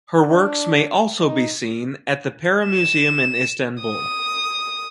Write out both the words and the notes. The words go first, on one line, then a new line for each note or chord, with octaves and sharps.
Her works may also be seen at the Pera Museum in Istanbul.
D4
D#4
E7
D#6